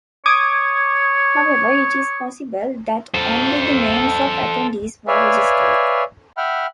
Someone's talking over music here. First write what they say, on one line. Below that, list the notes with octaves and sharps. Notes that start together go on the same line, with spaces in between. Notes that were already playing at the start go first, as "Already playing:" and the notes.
However it is possible that only the names of attendees were registered.
C#5 D6 D#6 G#6
A4 C5
B4 C#5 D5 E5 F5 G#5
E5 F#5 G5 B5 F6